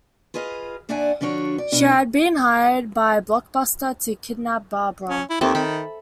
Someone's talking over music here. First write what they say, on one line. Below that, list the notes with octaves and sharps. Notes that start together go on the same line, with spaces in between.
She had been hired by Blockbuster to kidnap Barbara.
F4 G#4 B4 D#5 F5
D#2 D4 D5 E5 F#5 G#5
D3 F3 D4 F#4 C#5
D5
B2 D4 F#4
C#4
E4
D#2 C4 A4 E5
D#3 B5